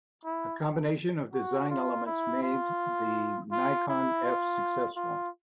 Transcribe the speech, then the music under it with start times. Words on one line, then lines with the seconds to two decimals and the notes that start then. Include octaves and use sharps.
A combination of design elements made the Nikon F successful.
0.25 E4
1.33 F#4
1.70 F4
2.06 E4
2.43 F4
3.52 F4
3.88 E4
4.24 F4
4.96 F4